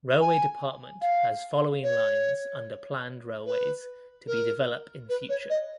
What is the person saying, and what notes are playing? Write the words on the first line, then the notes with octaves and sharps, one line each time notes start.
Railway Department has following lines under planned railways to be develop in future.
G#5
F5
C#5
B4
A#4
B4
C#5
D#5